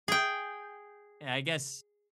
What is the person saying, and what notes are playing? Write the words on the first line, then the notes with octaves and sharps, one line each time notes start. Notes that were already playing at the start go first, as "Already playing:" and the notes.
and I guess
G#4 G5